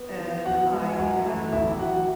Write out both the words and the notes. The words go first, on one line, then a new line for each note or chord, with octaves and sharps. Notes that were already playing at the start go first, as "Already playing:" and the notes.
and I am
Already playing: B3
E3
B3 F#4 F#5
G#3
G#5
F#2 F#4 F#5
A3
A1 E4 E5
F#3 F#4 F#5